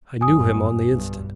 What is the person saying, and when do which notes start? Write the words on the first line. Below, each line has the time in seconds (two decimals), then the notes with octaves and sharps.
I knew him on the instant.
0.21 G1 F#2 G#5 D#6
0.87 B1 G2